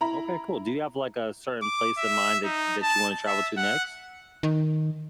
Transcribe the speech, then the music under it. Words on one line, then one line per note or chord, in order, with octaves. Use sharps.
Okay, cool. Do you have, like, a certain place in mind that that you wanna travel to next?
E4 A#5 B5
D6
E5
D#4
A5
E5
F#5
D#3